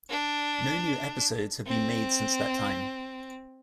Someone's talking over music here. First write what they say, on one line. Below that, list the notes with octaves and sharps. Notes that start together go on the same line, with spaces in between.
No new episodes have been made since that time.
D4
C4